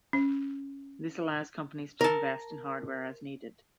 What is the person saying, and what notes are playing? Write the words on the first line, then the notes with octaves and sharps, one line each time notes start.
This allows companies to invest in hardware as needed.
C#4
A#4 A5